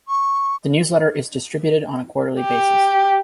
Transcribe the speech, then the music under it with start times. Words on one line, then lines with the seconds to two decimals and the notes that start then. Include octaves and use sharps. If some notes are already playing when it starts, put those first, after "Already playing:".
The newsletter is distributed on a quarterly basis.
0.07 C#6
2.40 G4